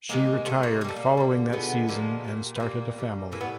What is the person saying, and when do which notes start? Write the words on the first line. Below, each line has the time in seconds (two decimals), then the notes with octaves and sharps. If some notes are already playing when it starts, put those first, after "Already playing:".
She retired following that season and started a family.
0.09 C3 D#3 G#3 A#3
0.45 C3 D#3 G#3 A3
0.63 A#3
0.81 D3 A#3
0.84 G3 A3
0.96 A#3
1.17 D3 G3
1.53 B2 D3 F3 G#3 B3
1.88 D3 F3 G#3 A#3
2.24 A#2 G3
2.55 B3
2.60 A#2 G3 A#3
2.96 A2 E3 G3
3.32 A2 E3 G3 A#3
3.41 B3